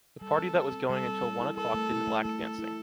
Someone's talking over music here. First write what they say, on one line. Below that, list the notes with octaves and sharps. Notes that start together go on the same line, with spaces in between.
The party that was going until one o’clock didn’t lack dancing.
G3 A4
C4
C4
C4
G3 A4
C4
G3
E4
A4 A#4
A3
E4
A3
A3 A4
A3
E4